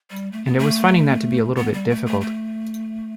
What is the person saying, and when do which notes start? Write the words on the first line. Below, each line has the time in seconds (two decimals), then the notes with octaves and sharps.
And I was finding that to be a little bit difficult.
0.10 G3
0.32 A3
0.45 B3
0.59 A3
1.57 B3
1.73 G3
1.90 A3
2.06 A3
2.21 A3